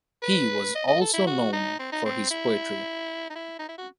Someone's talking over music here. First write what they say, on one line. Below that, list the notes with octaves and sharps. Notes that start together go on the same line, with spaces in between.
He was also known for his poetry.
B4
D#5
D#5
A4
E4
F#4
D#4
C4
D#4
C4
E4
D#4
E4
D#4
E4
F#4